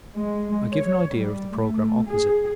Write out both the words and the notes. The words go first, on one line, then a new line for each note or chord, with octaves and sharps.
I give an idea of the programme opposite.
G#3
C#5
G3
A3
G#4